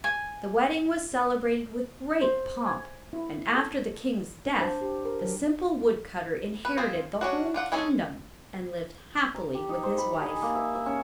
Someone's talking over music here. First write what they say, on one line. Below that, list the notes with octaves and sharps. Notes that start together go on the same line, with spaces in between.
The wedding was celebrated with great pomp, and after the king's death the simple wood-cutter inherited the whole kingdom, and lived happily with his wife.
G#5
C5
G#5
E4
A4
D4
C5
G4
A#4
F#3
B4
C4 F4 G#4 C5
C#4 D4 F#4
D4 F4 F#5
G#3 C#4 G#4 A4
A#5
G4
D#4
C5
B5
G#4
A#3
E5
E5
C#4